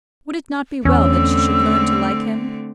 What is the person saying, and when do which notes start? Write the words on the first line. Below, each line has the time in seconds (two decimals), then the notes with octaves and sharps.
Would it not be well that she should learn to like him?
0.85 E2 D3 A3 C4 C#4 E6